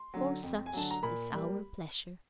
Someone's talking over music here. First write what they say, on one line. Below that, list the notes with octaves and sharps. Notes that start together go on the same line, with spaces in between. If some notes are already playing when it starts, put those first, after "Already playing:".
"For such is our pleasure."
Already playing: C6
D3 F#3
F2
G#5
D3 F#3 A5
A#5
A#2 B5
G3 A#3